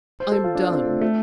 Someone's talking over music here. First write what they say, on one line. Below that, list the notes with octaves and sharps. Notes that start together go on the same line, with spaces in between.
"I'm done."
C5
A4
F4
D4
C4
A3
A3